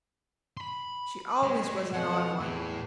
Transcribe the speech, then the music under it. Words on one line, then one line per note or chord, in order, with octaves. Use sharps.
She always was an odd one.
B5 C6
G3 G#3
F2 B2 F3 F#5
E2 A2